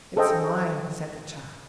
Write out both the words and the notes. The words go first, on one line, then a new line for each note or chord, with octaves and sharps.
"It's mine," said the child.
G#4 A4 C5 D#5 G5